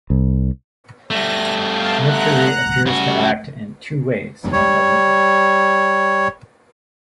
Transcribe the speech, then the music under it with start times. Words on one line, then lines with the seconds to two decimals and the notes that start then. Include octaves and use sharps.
Mercury appears to act in two ways on the liver.
0.10 C2
1.11 G3 A3 A#6
1.73 F5 G5 A5
2.08 F#5 A#5 F#6
2.87 C#3 G3 A3 F#4
4.52 G3 C#5